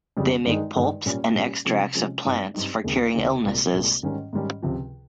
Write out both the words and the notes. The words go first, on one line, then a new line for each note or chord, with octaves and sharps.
They make pulps and extracts of plants for curing illnesses.
F2 C#3 G3 C#4
G2 D#3 G#3 D#4
G2 D#3 G#3 D#4
A#2 G3 C#4
A#2 G3 C#4
C3 F3 G#3 C#4
C3 F3 G#3 C#4
G2 G3 C4 D#4
G2 G3 C4 D#4
D#2 C#3 G#3 C4 D#4
D#2 C#3 G#3 C4 D#4
C2 A#2 G#3
C2 A#2 G#3
G#2 D#3 G3 C#4
G#2 D#3 G3 C#4
C#2 C3 F3